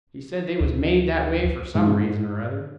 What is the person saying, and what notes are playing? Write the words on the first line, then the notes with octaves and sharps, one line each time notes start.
He said they was made that way for some reason or other.
D2
G#2